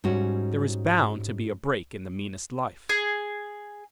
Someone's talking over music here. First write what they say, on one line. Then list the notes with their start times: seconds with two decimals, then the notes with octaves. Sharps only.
There is bound to be a break in the meanest life.
0.04 G#2 G3 C#4 F#4
2.89 G#4